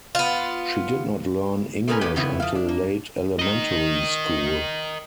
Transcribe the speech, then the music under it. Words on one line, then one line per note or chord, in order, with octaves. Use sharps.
She did not learn English until late elementary school.
B3 F4
A3 B3 C4 A#4 B4 G#5
E2 A2 A#3 B4 G5
C#3 B3 C4 E4
F3 F5
D4
A#3
A#4 D#5